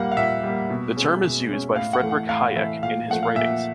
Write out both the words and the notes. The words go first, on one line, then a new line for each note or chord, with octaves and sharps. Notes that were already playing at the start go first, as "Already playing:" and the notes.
The term is used by Friedrich Hayek in his writings.
Already playing: A#2 G3 A#3 F5 F#5
F5
A#2 E5
G3 A#3
B2
G#3 C#4
B2
G#3 C#4
A2 F5
F#5
E3 A3
F#5
A2 F5
E3 A3 E5
A#2 F5
F3 A3 F#5
F5
A#2 E5